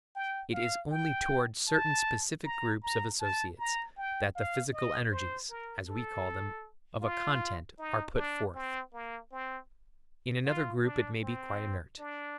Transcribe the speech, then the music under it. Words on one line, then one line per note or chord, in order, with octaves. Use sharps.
It is only towards certain specific groups of associates that the physical energies, as we call them, of a content are put forth. In another group it may be quite inert.
G5
F5
G5
A5
A#5
A#5
A5
A#5
G5
F5
D#5
C5
A#4
A4
F4
D#4
D4
C4
A#3
C4
F4
D4
C4
D4